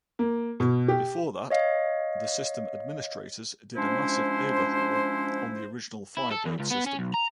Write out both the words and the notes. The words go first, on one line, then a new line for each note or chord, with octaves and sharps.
Before that, the system administrators did a massive overhaul on the original Firebird system.
A#3
B2
G4
C#5 D#5 F5
F3 G#3 C#4 D4 E4 C5
E4
A4
E2
C#2
B3
C#4
B1
A#5